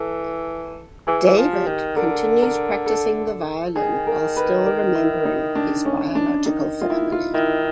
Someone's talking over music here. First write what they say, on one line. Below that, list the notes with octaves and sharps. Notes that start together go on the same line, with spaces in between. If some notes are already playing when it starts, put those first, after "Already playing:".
David continues practicing the violin while still remembering his biological family.
Already playing: E3 A4
E3 G#4
E3
F3
G4
D#3
D3 A#4
A#4
A4
D#3 G#4
A#4
B4
A#4
E4
D#4
D4
C#4
D4
D#3 D#4
F4
E4
F4
D#3 E4